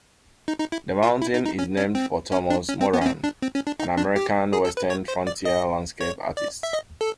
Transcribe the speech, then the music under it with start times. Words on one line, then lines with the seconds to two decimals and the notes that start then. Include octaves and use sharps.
The mountain is named for Thomas Moran, an American western frontier landscape artist.
0.48 D#4
0.60 D#4
0.72 E4
1.03 F4
1.22 E4
1.34 D#4
1.46 D#4
1.59 C#4
1.77 C#4
1.95 C4
2.32 C#4
2.50 D4
2.69 C#4
2.81 C4
2.94 B3
3.01 C#4
3.06 C4
3.24 D4
3.42 C4
3.55 C#4
3.67 D4
3.80 D#4
3.97 D4
4.16 G4
4.53 G#4
4.65 A4
4.77 B4
4.90 C#5
5.08 C5
5.27 D5
5.45 D#5
6.01 C#5
6.37 D5
6.63 E5
6.73 D#5
7.01 A4